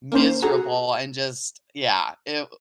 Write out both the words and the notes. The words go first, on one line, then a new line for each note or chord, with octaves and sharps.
miserable and just yeah, it
A#3 C#4 C5
F#4 G#4 A4 A#5